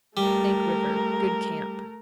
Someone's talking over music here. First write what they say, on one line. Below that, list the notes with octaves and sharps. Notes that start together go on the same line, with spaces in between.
Snake River.--Good camp.
G3 A3 A#4